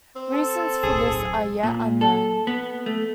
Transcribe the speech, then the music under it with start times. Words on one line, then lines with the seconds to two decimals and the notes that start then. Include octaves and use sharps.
Reasons for this are yet unknown.
0.16 C4
0.33 A4
0.83 D1 B1 G#4
1.63 A#2
2.01 A4
2.47 B3
2.86 A3